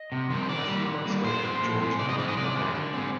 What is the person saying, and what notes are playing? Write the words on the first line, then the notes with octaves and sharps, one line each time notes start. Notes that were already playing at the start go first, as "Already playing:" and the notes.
A few months later, George and Mary are married.
Already playing: D#5
C3
D#3 G3 C4
D#3 D5
G3 A#3
D#3
G3 A#3
A#2 C5
G#3 C4
A#2
G#3 C4
C3 D5
D#5
D#3 G#3 D5
D#5
C3 D5
D#3 G#3
D3
G#3 C4